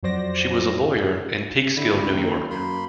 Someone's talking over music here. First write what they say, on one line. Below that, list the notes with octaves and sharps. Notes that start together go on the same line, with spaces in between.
She was a lawyer in Peekskill, New York.
F2 F#3 F#4 C5 D5 A#6
D3 E4
C#2
D#2 A#3 C4
F#2 A#3 B5 C6